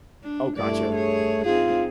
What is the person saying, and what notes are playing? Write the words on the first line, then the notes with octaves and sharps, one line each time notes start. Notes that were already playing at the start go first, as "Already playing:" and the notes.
Oh, gotcha.
D4
G2 A3 E4 D5
G#4 C#5
C4 D#4 F4 G#4